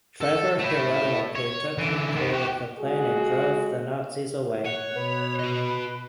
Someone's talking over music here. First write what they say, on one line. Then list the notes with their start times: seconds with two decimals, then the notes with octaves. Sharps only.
Trevor heroically took control of the plane and drove the Nazis away.
0.21 A4
0.59 A3 E4
1.35 C#5
1.78 D3 E3
2.16 D#3 B3
2.33 F#4 G4
2.79 F2 G#3 F#4 G#4
4.65 C#5 F#5
4.96 B2 B4
5.39 F#4 D#5